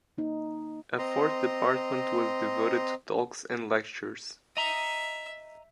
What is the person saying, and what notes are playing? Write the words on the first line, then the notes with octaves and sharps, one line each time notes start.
A fourth department was devoted to talks and lectures.
A#3 D#4
C4 D#5 A#5 C6
D#5 E5 A#5